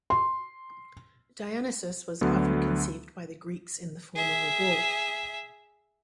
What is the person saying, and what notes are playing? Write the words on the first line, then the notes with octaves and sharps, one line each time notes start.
Dionysus was often conceived by the Greeks in the form of a bull.
C6
D2 D3 F#3 B3
G#4 E5